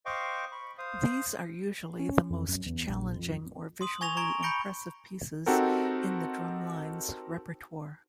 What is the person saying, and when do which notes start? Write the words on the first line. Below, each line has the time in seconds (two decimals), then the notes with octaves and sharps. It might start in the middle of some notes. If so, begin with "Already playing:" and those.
These are usually the most challenging or visually impressive pieces in the drumline's repertoire.
0.06 C5 D#5 F5 G5 C#6 D6
0.52 B5 C#6
0.78 C5 F5 D#6
1.99 C#4
2.30 F2
2.48 F#2
2.66 E2
2.88 A#1
3.16 F2
3.81 C6 D#6 F#7
4.01 G#5 C#6 G#6 A#6 F7
4.17 A#5 C#6 G#6 D7
4.42 B5 G6 A#6 C#7 D7 G7
5.46 C4 D#4 F#4 G4 A4 A#4